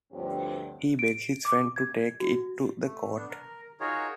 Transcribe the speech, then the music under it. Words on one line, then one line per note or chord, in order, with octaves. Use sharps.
He begs his friend to take it to the court.
D2 G2 F3 C4 G4 C#5
D7
D6
G#6
F#4
A3
B3 D4
A#4
D#4 F4 F#4 G#4 A#4 C#5